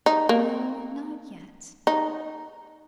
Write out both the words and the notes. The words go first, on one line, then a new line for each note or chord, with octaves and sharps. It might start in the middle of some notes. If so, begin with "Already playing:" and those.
'No, not yet.
D#4
A#3
D#4